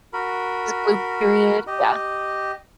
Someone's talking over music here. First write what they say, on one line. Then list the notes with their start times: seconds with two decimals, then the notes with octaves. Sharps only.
His Blue Period, yeah.
0.13 F#4 A#4 B5
1.67 G4 D#5